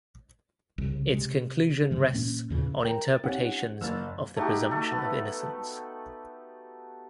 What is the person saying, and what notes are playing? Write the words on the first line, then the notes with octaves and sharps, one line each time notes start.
Its conclusion rests on interpretations of the presumption of innocence.
C2 C#3
C3 G#3
C#3 E3 G#3
A#2 A#3 C#4
D#2 A#2 C#3 E3
A#4 G5 A#5
A6
C4 C#4 D#4 G4 F#5
F#1 E6 F6 A6
A3 D#4 F#4 G4
A3 A4
B3